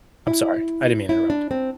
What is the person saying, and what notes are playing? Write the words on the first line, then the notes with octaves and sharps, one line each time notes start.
I'm sorry, I didn't mean to interrupt.
E4
E4
D4
C4